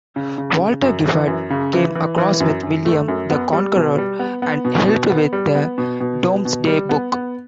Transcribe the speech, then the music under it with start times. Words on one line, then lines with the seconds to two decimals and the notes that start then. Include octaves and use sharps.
Walter Giffard came across with William the Conqueror and helped with the Domesday Book.
0.16 C#3
0.38 C#3
0.60 C#3
0.83 F#2
1.06 E3
1.28 F#2
1.50 C#3
1.73 E3
1.96 E3
2.18 E3
2.40 F#2
2.63 F#2
2.85 A3
3.08 F#2
3.30 B3
3.53 G3
3.76 B2
3.98 G3
4.19 B3
4.42 B3
4.65 B2
4.88 B2
5.10 B3
5.33 G3
5.55 B3
5.78 B2
6.00 B2
6.23 B2
6.45 B2
6.67 G3
6.89 B3
7.12 B3